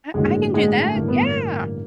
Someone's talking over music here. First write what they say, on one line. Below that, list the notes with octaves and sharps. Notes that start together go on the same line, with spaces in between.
I I can do that, yeah.
A1 G2 D3 F#3 G#3 A#3
G#3
G#3
A3
A1 G2 D3 A#3
B3
A#3